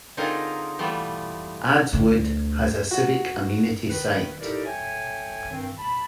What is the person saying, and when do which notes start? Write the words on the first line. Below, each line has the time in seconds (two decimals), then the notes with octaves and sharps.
Adswood has a civic amenity site.
0.17 D3 C4 D#4 F4 G#4 A#4
0.79 E3 G3 A3 B3 F4
1.93 D2 D3
2.91 F#4
3.89 D#3 B4
4.41 D#4 E4 G4 A4 A#4 D5
4.65 A4 C#5 E5 G5 G#5
5.51 G2 D#3 C4
5.78 A5 B5